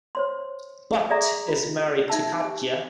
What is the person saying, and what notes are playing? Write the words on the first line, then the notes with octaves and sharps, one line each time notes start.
Butt is married to Katja.
C5 C#5 C6
G#4 A4 D5 E5 A#5
F4
D#4 E5 A5 E6
G4 G#5